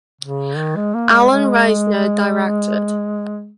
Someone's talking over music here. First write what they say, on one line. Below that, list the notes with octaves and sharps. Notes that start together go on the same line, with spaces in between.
Allan Reisner directed.
C#3
D#3
G#3
A#3
G#3
G#3